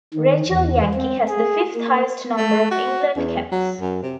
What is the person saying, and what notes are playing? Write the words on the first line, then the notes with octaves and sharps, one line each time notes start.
Rachel Yankey has the fifth highest number of England caps.
D#3
E2
C4
G#4
A#3
A3
F#4
E2
F#3
F#2
C3